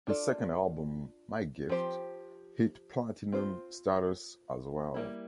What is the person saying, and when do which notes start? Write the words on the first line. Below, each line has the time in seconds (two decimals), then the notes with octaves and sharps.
His second album "My Gift" hit Platinum status as well.
0.07 D4 F4 A4 D5
1.69 F3 C4 G4 C5
3.32 C4 F4 C5
4.94 G3 A#3 E4